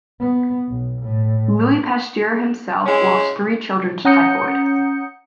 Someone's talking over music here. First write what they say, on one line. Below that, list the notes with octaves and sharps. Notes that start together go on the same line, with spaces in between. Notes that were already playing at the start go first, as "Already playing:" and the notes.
Louis Pasteur himself lost three children to typhoid.
B3
B1
A2
G#3 C#4 E4
C#4 F#5 A#5 D#6 G6 C#7